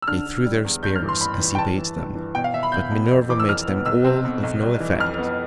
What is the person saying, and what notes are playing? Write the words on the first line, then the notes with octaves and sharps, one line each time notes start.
They threw their spears as he bade them, but Minerva made them all of no effect.
E6
D3 F6
D3
G3
E2
G2 G6
F6
E3
C6
A1 B5
E3
G5
G1 A5
E3
G2
E3
B2 G5
F5
B2 E5
B5
B2 G6
B2
F2
E3 D6
E6
F2 F6
B3
B1 E6
C4
B2
B1
G3
E3
F2 F6
B3